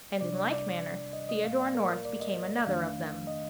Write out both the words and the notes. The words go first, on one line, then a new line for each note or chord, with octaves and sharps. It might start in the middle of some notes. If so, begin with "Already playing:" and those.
And, in like manner, Theodora North became another of them.
C3 G3 D4 D5
D5
D#5
D#5
A2 G3 A#3 F5
D5
A#4
D5
D#5
F2 D#3 A3 D4 F5
D#5